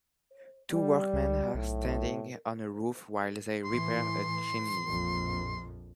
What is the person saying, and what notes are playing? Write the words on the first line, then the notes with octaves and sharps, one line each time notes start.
Two workmen are standing on a roof while they repair a chimney.
G3
C#2
B1 A2
A2 E3 C6
A#1 F2